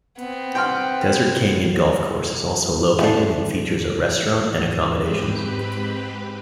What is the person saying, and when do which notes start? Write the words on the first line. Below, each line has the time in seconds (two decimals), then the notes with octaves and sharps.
Desert Canyon Golf course is also located and features a restaurant and accommodations.
0.18 B3 C4
0.55 G5 C6 F6
2.99 A3 C#4 D4
5.00 G#2 C4 G4 B4 B5